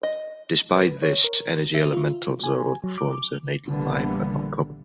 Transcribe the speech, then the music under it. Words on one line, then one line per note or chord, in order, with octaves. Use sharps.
Despite this, energy elementals or other forms of native life are not common.
D#5
B4
C#5
A#4
E5
F4
G#5
F#3
D6
A#1 D3 E3 G3 A#3 B3